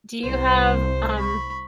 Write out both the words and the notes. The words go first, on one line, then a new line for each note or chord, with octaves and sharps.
Do you have, um,
C2 C5
B5 C#6